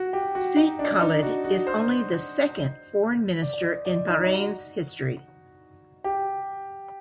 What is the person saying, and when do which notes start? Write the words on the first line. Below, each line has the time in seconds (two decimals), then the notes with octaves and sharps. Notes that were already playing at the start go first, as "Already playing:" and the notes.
Sheikh Khalid is only the second foreign minister in Bahrain's history.
Already playing: F#4
0.13 G4
0.35 F#4
0.57 D#4
0.79 D4
1.01 D#4
1.23 F#4
1.44 F#4
1.67 C5
3.42 D5
3.53 D5
3.64 D#5
3.85 D5
4.07 D#4
4.24 D#4
4.29 F#4
6.04 G4